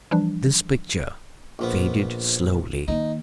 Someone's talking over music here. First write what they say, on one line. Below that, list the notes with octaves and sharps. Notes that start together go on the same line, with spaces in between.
This picture faded slowly.
E3 F3 G3 D4
A#1 F3 B3
D#3 A#3 D#4